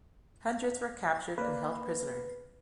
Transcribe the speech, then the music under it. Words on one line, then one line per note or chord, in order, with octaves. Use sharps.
Hundreds were captured and held prisoner.
A#3 B4 D5